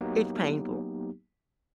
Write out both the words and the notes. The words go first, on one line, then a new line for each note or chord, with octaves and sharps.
it's painful.
F#3 A#3 B3 D#4 G4